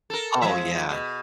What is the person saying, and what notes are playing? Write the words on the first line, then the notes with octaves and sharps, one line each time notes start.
Oh, yeah.
A4 A#4
F3 G#3 E5
B2